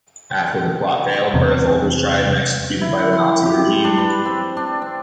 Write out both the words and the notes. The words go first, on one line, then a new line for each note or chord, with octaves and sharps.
After the plot failed, Berthold was tried and executed by the Nazi regime.
E2 C3
E4
C6
G4
D4
B4
C4
D4
C4